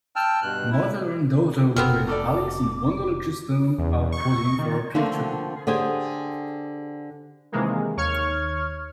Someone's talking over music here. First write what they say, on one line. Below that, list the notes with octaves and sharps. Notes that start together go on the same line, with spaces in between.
Mother and daughter wearing Alice in wonderland customs are posing for a picture.
G5 A5 E6 F6
G2 B2 F#6
E4
F1 B3 C4 A4 A#4
A3 A4 D5 D6
E2
C#6
D#3
D3 F3 A3 A#3 C4
D3 G4 G#4 C5 G#5
C3 D#3 E3 G#3 A#3
D#2 C#5 C#6 F6 G#6